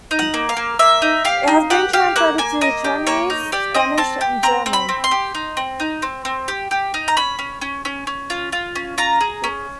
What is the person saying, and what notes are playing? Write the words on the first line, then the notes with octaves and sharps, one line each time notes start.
It has been translated into Chinese, Spanish, and German.
D#4
F#5
A#3
F5
A#3
A#3 E5
D#4
G4 F5
D#4
G4 F#5
G4 F5
A#3 F#5
A#3 G#5
A#3 D#5
G4
A#3 C#5
D#4
G4 D5
C4 D#5
C4 A5
G4
C4 A#5
C4
B5
C4
C6
G4
D#4
C4
D#4
C4
C4
G4
G4
D#4
A#5
C#4 B5
C#4
C#4
C#4
C#4
F4
F4
C#4
F4 A#5
G#4
C#4